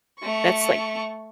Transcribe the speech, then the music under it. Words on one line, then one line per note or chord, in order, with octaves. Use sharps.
That's, like,
A3 C#6